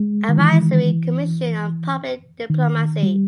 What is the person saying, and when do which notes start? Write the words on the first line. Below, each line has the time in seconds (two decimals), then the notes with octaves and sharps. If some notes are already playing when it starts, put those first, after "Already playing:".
Advisory Commission on Public Diplomacy.
Already playing: G#3
0.29 D#3
0.38 E3
2.50 D#3
3.03 G3